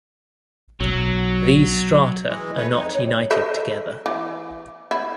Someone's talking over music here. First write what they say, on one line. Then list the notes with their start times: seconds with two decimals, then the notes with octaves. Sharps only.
These strata are not united together.
0.81 B1 F#3
2.27 E3 G#3
2.57 A3 B4 C#5
2.70 F2 D#4
2.94 C3 C#5
3.31 A4 D#5 E5
4.06 E3
4.91 E4